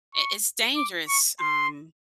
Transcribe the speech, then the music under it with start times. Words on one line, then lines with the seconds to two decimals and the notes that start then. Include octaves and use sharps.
I it's dangerous um,
0.15 C#6
0.76 D6
1.08 C#6
1.40 C6